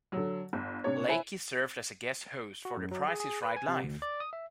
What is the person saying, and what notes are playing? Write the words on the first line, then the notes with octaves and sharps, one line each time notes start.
Lachey served as guest host for The Price Is Right Live!
D3 F#3
G1
C3 D4 C#5
E4 B4 C5 E5 G#5
F#4
F#2
F#3
G#4
G#4
B4
G#5
C3
D2
D5
D#6
E5